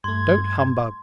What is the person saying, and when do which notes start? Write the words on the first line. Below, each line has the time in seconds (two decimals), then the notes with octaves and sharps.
'Don't humbug!
0.04 G2 A3 C6 G#6